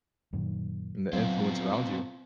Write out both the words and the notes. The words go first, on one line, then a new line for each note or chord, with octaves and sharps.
And the influence around you.
F#2 A#2 D#3
F#3 B3 C4 F4